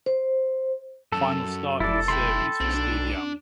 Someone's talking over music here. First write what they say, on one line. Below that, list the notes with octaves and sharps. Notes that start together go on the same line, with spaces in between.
Final start in the series for Steve Young.
C5
F#2 A4
F1 E4 A4 D5
B1 E4 G5 B5 C6
B1 C4 D4
D4